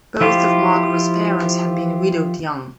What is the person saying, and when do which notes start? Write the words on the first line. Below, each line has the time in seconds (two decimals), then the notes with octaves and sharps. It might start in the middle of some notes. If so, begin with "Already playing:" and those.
Both of Margaret's parents had been widowed young.
0.21 F3 E4 F4 G4